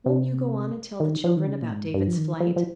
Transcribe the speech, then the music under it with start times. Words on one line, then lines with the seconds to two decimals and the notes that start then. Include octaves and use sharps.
"Won't you go on and tell the children about David's flight?"
0.06 C3
1.00 D#3
1.24 F3
1.37 D#3
1.47 C#3
1.62 A#2
1.70 G#2
1.94 G2
2.08 F3
2.17 D#3
2.40 F3
2.56 F3